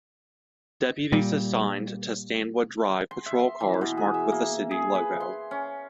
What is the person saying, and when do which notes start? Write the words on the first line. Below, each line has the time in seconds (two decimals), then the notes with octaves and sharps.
Deputies assigned to Stanwood drive patrol cars marked with the city logo.
1.12 A#2 G3
3.11 C6
3.26 E5
3.39 C6
3.60 E3
3.81 B2
3.97 G#4
4.14 E5
4.32 A#3
4.71 G#4
4.95 B4
5.20 C6
5.51 C#4